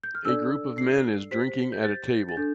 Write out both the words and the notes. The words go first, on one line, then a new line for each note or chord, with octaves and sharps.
A group of men is drinking at a table.
G6
F6
D4 A4 D5 E6
C7
G4 C5 B6
G6
A6
A6
D4 A4 G6